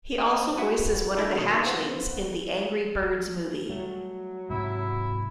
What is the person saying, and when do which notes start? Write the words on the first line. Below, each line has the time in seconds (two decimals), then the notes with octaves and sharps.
He also voices one of the Hatchlings in "The Angry Birds Movie".
0.18 A#3 C5 D#5 G5
0.58 E4 F#4 B4
1.17 A3 D4 E4
1.36 B2 D#3
1.67 B3 F4 C5
3.69 F#3 G3 A3
4.50 G#2 C3 E4